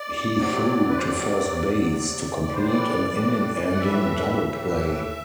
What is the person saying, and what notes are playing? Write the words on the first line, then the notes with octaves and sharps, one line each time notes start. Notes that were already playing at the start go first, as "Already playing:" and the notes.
He threw to first base to complete an inning-ending double play.
Already playing: D5
C3 F#3
B4
C5
C3 F#3 D5
C3 F#3
A2 E3 D5
C5
D5
A2 E3
F#5
A2 E3 E5
A2 E3 E5